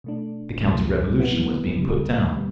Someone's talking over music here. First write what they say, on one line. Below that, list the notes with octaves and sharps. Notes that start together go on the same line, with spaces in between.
The counter-revolution was being put down.
B2 A3 D4
C#2 B2 F#3 A3 E4
B2 F#3 B3 E4
C#2 C#3 G3
B2 G3 B3